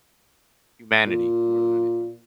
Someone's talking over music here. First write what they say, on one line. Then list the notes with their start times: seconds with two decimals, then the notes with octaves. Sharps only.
humanity more than anything
1.07 A#2